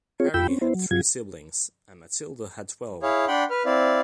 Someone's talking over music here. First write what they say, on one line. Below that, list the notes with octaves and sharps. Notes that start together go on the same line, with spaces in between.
Harry had three siblings and Matilda had twelve.
C4 F4 G#4 C#5
F2 F4 G5 B5 E6 G6
C4 C#4
B3 E4 C5
F#3
G2 F#3 F4 G#6
E4 G#4 C#5 F5
D4 F#5 G5 B5 C6
B4 F6
C4 E4 D5 F5